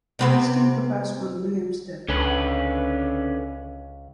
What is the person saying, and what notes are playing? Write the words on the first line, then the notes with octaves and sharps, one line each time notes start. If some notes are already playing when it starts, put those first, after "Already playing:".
This came to pass on William's death.
C3 B3 C4
C#2 D3 C#4 B4